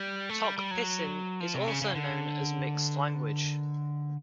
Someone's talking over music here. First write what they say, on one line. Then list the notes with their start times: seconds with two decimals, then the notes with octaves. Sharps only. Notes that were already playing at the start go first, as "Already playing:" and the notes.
Tok Pisin is also known as a "mixed" language.
Already playing: G3
0.29 A3
0.44 G3
0.58 G3
0.71 F#3
1.40 F3
1.54 C3
1.67 C#3
1.82 C#3
1.95 D3